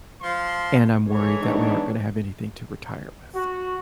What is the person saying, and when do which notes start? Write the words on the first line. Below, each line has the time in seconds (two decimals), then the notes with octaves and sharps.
a and I'm worried that we aren't gonna have anything to retire with.
0.21 F3 C6
1.08 E3 G#3 A4 C#5
1.41 B3 D4 D#4
3.35 F#4